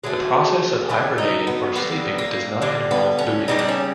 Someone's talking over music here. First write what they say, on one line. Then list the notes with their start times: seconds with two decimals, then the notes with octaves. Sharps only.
The process of hibernating or sleeping does not involve booting.
0.04 D3 F#3 A3 G#4
0.89 D3 F#3 A3 E4
1.18 D#4
1.47 B3
1.76 D3 G3 A#3 B3
2.19 A#3
2.62 D3 G3 A#3
2.91 B3
3.19 C#4
3.48 C#3 E3 G3 A#3 D#4
3.59 D4
3.69 C#4